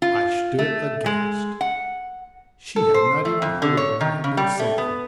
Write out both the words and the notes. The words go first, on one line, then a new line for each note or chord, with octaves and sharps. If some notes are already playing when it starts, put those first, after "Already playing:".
I stood aghast; she had not even heard what I had been saying.
F4
A3
G#3
F#5
A4
C5
A3
F2
D3
C#5
D#3
C#3
G3
A3
B3